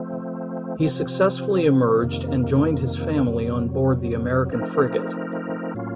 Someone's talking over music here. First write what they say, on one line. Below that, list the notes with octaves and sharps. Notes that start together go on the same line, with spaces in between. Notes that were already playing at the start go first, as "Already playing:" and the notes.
He successfully emerged and joined his family on board the American frigate.
Already playing: F3 A3 C4
C3 F3 C4
F2 C3 D#3 A#3
F2 C3 F#3
F3 A3 C4 D#4 A#4
A2 F#3 A#3 C#4 F4